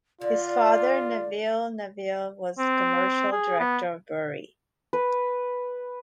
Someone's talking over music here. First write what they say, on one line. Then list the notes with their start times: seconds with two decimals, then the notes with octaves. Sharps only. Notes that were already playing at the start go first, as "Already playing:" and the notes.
His father, Neville Neville, was commercial director of Bury.
0.21 D3 F4 D5
2.58 C4
3.32 G#4
3.60 B3
4.93 B4